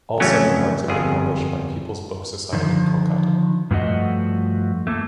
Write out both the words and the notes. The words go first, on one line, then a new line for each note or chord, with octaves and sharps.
All seven parts have been published by Peoples's Book Society, Kolkata.
F2 C#3 E3 F#3 A3 C#4
G1 F2 G#4
D3 D#3 F3
G2 F3 A3 F#4 D#5
A3 A#3 A4